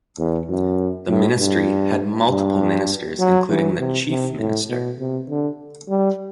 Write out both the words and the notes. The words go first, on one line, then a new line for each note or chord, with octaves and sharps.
The ministry had multiple ministers including the Chief Minister.
E2
F#2
A2
G2
G2
F#3
E3
C3
C3
A2
B2
C3
D3
G3